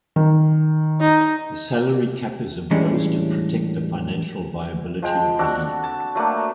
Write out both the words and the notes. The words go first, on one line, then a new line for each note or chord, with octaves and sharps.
A salary cap is imposed to protect the financial viability of the league.
D#3
D#4
A2 E3 G3 G#3 C#4 D4
F3 G#3 G5
C4 D4 F#4 A4
A5
F#3 A3 A#3 D4